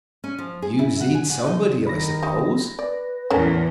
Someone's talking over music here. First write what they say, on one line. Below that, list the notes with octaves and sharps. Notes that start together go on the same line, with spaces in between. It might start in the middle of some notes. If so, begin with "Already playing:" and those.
"You zid somebody, I suppose?"
C#4
F3
G#4
E4
F#5
G#5
F#5
D#4
D#3 B5 A#6
D#4 G4
B4 D5
E2 A2 C#4 A4 A#4 C#5 G#5